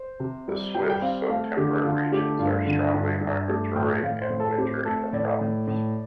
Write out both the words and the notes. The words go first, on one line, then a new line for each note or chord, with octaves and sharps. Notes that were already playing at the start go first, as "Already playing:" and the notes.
The swifts of temperate regions are strongly migratory and winter in the tropics.
Already playing: C5
C3
G3
G3 G5
G5
C4 F5
A3 F5
D3 G4
D3 F4
A3 G4
G2 F4
D3
G2
G2
A3 G4
A2 G5
A2 F5
C5
A2
A4
C4 G4
A3 A4
A2 D5
A2
A2